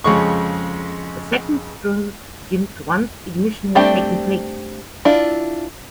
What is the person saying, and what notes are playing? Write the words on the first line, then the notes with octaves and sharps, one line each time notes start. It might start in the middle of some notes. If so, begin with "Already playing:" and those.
The second stroke begins once ignition has taken place.
F2 C#3 G#3 C#6
G3 A3 C4 D4 G4
D4 E4 F4